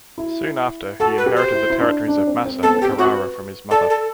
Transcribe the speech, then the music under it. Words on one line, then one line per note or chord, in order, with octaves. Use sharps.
Soon after, he inherited the territories of Massa and Carrara from his mother.
E4
F#4 A4
B4
G4
C5
E4
E4
D4
D4
C4
C4
B3 A4
C4
G4
C4
F#4
B4
A4 D5
A4